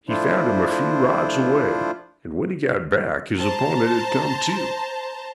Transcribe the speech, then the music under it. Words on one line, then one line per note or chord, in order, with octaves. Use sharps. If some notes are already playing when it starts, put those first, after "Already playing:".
He found him a few rods away, and when he got back his opponent had come to.
F3 A3 D4 E4 F4 C5
C5 A5 A#5